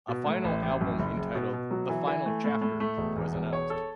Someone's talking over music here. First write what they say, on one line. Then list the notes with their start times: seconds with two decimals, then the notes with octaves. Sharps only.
A final album entitled "The Final Chapter" was announced.
0.08 B2
0.26 A2
0.45 A1
0.63 A1
0.81 F#2
0.99 F#1
1.17 F#1
1.35 B2
1.53 B2
1.71 F#3
1.89 E3
2.07 E3
2.25 A3
2.44 A2
2.61 A2
2.80 A3
2.97 E1
3.16 E2
3.34 E1
3.53 C#5
3.70 A4